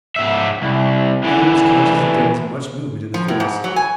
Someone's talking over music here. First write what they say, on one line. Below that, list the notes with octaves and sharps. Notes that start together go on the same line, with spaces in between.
Yet he was conscious that there was much movement in the forest.
G#2 E5
C2
D3 E3
F3
A2
G#2
F#3
G#5